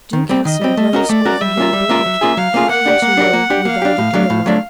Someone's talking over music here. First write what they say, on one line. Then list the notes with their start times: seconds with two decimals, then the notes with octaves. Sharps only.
Doom Castle rose over him black, high and low, without a glimmer.
0.13 D#3
0.29 G3 C4
0.45 D#3 D#5
0.61 G3 C4
0.77 A3
0.93 C#4 F#4 A#4
1.09 A3 D5
1.25 C#4 F#4 A#4
1.41 G3 E5
1.57 A#3 C#4 F4 A#4
1.73 G3
1.89 A#3 C#4 F4 A#4
2.06 F#3
2.21 A#3 C#4 F4 G#4
2.37 F#3 F5
2.54 A#3 C#4 F4 G#4
2.69 A#3 F#5
2.86 D4 G4 A#4 D5
3.02 A#3
3.17 D4 G4 A#4 D5
3.33 A#3
3.50 D4 G4
3.65 A#3 F5
3.82 D4 G4
3.98 A2
4.13 F#3 A3 D4
4.30 A2
4.46 F#3 A3 D4